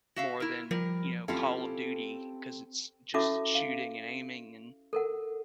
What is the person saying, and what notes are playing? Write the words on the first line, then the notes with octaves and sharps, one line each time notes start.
more than, you know, Call of Duty, 'cause it's just shooting and aiming and
F#4 E5 F5
E4 A#4
F3 G3 A#4
C4 C#4 E4 F4 G4 A4 F5
C#4 E4 F#4 A4 E5 D6
F5
A4 A#4 F#5